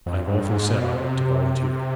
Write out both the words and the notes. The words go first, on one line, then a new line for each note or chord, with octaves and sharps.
I have often said I ought to volunteer.'
F2
G2
G#2
B2
C3